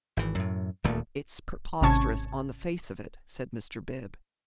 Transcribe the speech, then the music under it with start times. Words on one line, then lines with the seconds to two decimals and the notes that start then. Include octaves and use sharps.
"It's preposterous on the face of it," said Mr. Bib.
0.17 G#1 E3
0.35 F#2 A2
0.84 D#1 D2 A#2 A3
1.81 G#1 C3 C#4 A5 C#6 G#6